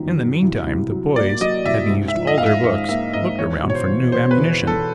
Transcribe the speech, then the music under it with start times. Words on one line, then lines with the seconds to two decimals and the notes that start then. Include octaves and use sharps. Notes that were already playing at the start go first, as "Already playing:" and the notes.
In the meantime, the boys, having used all their books, looked around for new ammunition.
Already playing: G1 F#2 D#3
0.18 F#3
0.42 C2
0.67 C2
0.91 F#3
1.16 A#3 D5
1.41 F#3 D#5
1.65 C2 E5
1.90 G#2
2.08 E5
2.15 F3
2.27 D#5
2.38 G#2 F5
2.46 E5
2.64 G#2 E5
2.89 A#3 E5
3.13 G#2 D#5
3.38 E2 C#5
3.63 B2
3.70 C#5
3.75 C5
3.88 E2
4.12 B2 C5
4.31 B4
4.37 E2
4.62 E2
4.67 A4